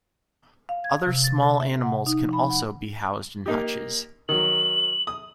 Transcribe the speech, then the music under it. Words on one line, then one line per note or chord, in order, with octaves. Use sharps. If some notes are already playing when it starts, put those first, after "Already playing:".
Other small animals can also be housed in hutches.
F5
G#6
C3
A6
A4
E5
F#5
D#4
F3
B5
F#5
A#3 D#4 G4
D#3 F#3 F#7
D#6